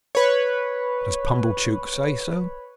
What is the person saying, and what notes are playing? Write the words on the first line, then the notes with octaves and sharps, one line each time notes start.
"Does Pumblechook say so?"
B4 C#5